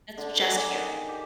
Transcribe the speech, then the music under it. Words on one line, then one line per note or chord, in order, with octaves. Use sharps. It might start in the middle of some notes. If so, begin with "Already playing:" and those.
That's just here.
D3
G#5
D5
D#3
G4